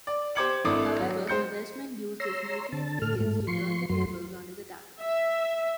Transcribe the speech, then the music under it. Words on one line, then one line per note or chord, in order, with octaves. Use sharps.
However the Welshman used his military experience to turn the tables on his attackers.
D5
G4 C5 D6 G#6 C#7 F#7
G#1 D4 E4 A4 D6 D#6
F#3
G#3 C5 G6 C#7
C#5 A#5 C6 E6
D3 A5
A2 A4 F6
G#2 A3
F3 C6 C#6
F#2 F#3 C6
E5